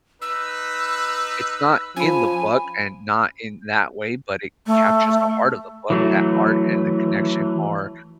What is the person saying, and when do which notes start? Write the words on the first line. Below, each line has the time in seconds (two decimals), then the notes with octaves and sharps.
It's not in the book, and not in that way, but it captures the heart of the book, that art, and the connection are
0.22 D#4 B4 E6
1.96 F3 C#4 G#5 B5
4.66 A3
5.90 E3 F#3 A3